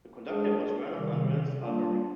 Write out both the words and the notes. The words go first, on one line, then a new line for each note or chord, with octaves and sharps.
The conductor was Werner Andreas Albert.
G#3 D4 G#4
C3 D#3 G3
G3 A#3 D4 F4